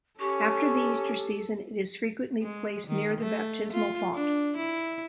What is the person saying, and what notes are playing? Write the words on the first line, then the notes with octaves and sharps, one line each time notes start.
After the Easter season, it is frequently placed near the baptismal font.
C#4 G4 A4 C#6
G#3
D#3
A3
F4
D4
E4